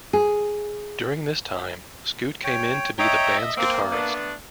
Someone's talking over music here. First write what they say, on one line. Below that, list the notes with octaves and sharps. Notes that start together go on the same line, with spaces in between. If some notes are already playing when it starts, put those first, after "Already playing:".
During this time Scoot came in to be the band's guitarist.
G#4
C#5 G5
C#5 D#5 E5 G5 A#5
A#3 C4
A3 B3 D4